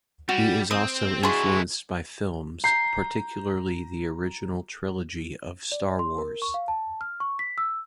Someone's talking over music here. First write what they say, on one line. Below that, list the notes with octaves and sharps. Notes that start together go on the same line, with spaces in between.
He is also influenced by films, particularly the original trilogy of "Star Wars".
G3 F#4
C4 D#6
D4 E4 F#4 G#4 C6
A#5 G6 C7
D5
C6
A#4
C#6
F5
A5
F6
C#6
B6
E6